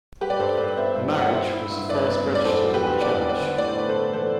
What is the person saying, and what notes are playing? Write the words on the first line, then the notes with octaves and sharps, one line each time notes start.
The marriage was the first registered at the church.
G3 G4 B4
D5
G2 A4 C5
G2 B4 D5
B3 C5 E5
G2 C5 E5
G2 D5 F#5
E4 C5 E5
E4
G2
G2 B4 D5
B3
G2
D5
E2 A4 C5
F#3
G4 B4
E2
E2 B4 D5
E2
B4 D5
D3
A2 D5
C5
A3 B4
A4 C5
A3
E3 A4 C5